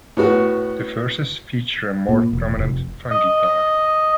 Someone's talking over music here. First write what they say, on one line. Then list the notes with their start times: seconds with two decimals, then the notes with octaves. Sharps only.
The verses feature a more prominent funk guitar.
0.17 A2 B3 F#4
2.09 A#2
2.33 E1
2.59 F1
3.11 D#5